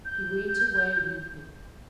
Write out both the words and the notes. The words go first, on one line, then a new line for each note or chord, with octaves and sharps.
He went away weeping.
G6